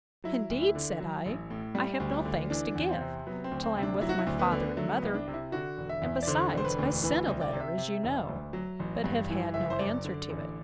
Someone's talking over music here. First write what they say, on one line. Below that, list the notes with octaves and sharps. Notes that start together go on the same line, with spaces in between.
Indeed, said I, I have no thanks to give, till I am with my father and mother: and besides, I sent a letter, as you know; but have had no answer to it.
F#3 E4
D2
E4
D3
F#3
A1
A2
G3
D2
D3
E3 D4
E2
C4
C3
F#3 B3
C4
D2
C4
C3
D4
F#3 E4
F#4
E4
D2
B3
D3
F#3 A3
B3
C2
D4
C3
E4
D3 F#4
E1
E5
E2
D5
D3 C5
E1 C5
B4
D2
E3 B4
C2
D5
C3
E5
C3
E1
D2
F#3
A1
G2
E3
F#1 E5
C5
F#2 D5
D3
A1